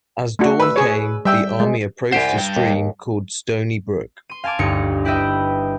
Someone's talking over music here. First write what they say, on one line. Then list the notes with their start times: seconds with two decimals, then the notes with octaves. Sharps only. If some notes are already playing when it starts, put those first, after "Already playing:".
As dawn came, the army approached a stream called Stony Brook.
0.39 A3 D4 F#4
0.60 B4 E6
0.76 G#4 C#5
1.25 G3 E5 G5 E6
1.60 G#3
2.12 C2 G4 C5 F#5 G#5
2.36 G2 G5
2.56 D#2
4.30 C6 D#7
4.44 F5 G#5 A5 D6 G#6
4.59 G1 D2 G2 D#4 G#4 C#7
5.05 E4 G4 B4 D#5 E5 G5